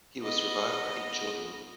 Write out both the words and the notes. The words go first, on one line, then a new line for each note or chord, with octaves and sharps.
He was survived by eight children.
B3 D#5